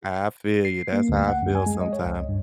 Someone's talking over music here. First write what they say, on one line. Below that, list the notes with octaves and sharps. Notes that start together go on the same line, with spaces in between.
I feel you, that's how I feel sometimes.
C7
A#3
D2
F#5
F#2
G#5
G#3
D#5
C#5
C#2
G2